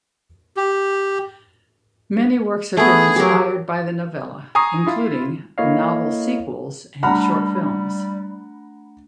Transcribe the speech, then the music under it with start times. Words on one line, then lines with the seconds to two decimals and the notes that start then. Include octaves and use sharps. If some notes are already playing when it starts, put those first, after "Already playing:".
Many works have been inspired by the novella, including novel sequels and short films.
0.57 G4
2.77 A3 B3 G#4
3.16 F#3 G4 A#4
4.55 G#5 A#5 C#6 D#6 C7
4.87 E4 F4
5.58 A#3 E4 A4 C#5 D#5 F5
7.03 G3 A3 D4 F#5 A#5 B5 F6